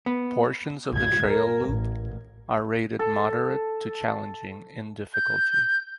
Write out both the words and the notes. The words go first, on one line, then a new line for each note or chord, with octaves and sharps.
Portions of the trail loop are rated moderate to challenging in difficulty.
B3
G#6
A#4
A1
A4
G6